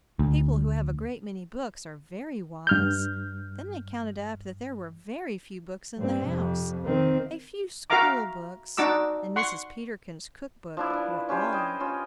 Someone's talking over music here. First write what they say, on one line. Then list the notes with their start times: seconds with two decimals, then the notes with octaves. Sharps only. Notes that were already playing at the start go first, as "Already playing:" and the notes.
"People who have a great many books are very wise." Then they counted up that there were very few books in the house,--a few school-books and Mrs. Peterkin's cook-book were all.
0.19 D2
2.67 G2 F6 G6
5.98 G2 C4
6.27 F2 C3
6.86 D#3 C4
7.90 F#4 A#4 E5 F5 A#5 D6
8.77 D4 D#4 F#4 D6 E6
9.36 F#5 C6 C#6
10.77 F3 D4 E4
10.90 D4 B4
11.29 C#4 G4 B4 C5
11.53 D#5 G5
11.80 C#4 F4